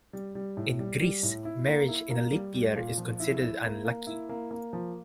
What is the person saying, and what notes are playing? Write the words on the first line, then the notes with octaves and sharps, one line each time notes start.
In Greece, marriage in a leap year is considered unlucky.
G3
G3
A2
G3
G3
A2
E4
A#3
E4
A#3
G3
G3
A#2
F3
E4
E4
A#3
A#3
E4
A#3
A#3
F3